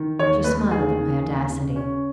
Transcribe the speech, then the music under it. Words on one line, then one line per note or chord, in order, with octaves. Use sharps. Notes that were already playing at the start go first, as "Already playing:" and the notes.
She smiled at my audacity.
Already playing: D#3
D#2 C#5
A3 B4
D#2 G#4
D#3
D#2
C#3
C#4